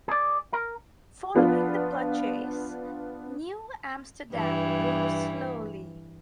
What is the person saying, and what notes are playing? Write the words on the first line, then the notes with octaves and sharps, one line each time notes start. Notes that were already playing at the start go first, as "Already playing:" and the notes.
Following the purchase, New Amsterdam grew slowly.
G#4 D5
A#4
F3 B3 D4 F4
G2 E3